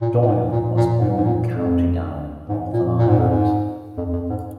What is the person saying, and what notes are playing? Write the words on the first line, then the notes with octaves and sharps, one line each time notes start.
Doyle was born in County Down, Northern Ireland.
A#2
A#2
G#2
A#2
A#2
G#2
G#2
A#2
F2
G#2
A#2
A#2
G#2
F2
G#2
F2
F2
G#2